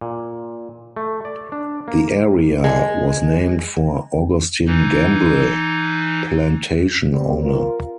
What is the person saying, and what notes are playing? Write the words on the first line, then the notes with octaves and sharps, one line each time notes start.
The area was named for Augustine Gambrill, plantation owner.
A#2
A3
D5
D4
A#3
G#3
E3 D#4
G3 B3 C4
F4 A#4